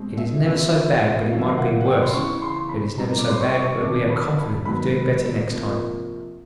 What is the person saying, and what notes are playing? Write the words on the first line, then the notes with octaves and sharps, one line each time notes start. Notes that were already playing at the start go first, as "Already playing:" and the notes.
It is never so bad but it might have been worse; it is never so bad but we are confident of doing better next time.
Already playing: B2 G#3 C4
E5
E2 C#3 F3 E5
C3 D#3 F#3 A#3 F5
E5
F5
F#5
F#5
G5
C6
E2 C#3 E3 C#6
C6
B5
B2 G3 C4 A#5
D6
C6
C#6
C#6
F2 C3 D#3 D6
B5
B5
G#2 D#3 F#3 B3 B5
C3 F3 A#3